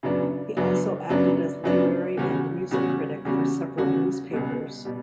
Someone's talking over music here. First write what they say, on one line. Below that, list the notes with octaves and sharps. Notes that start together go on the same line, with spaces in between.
He also acted as literary and music critic for several newspapers.
F#2 C#3 F#3 B3 D4
F#2 C#3 F#3 B3 D4
F#2 C#3 F#3 B3 D4
F#2 C#3 F#3 B3 D4
E2 C#3 G3 C#4 F#4
E2 C#3 G3 C#4 F#4
E2 C#3 G3 C#4 F#4
E2 C#3 G3 C#4 F#4
C#2 B2 G3
B2 G3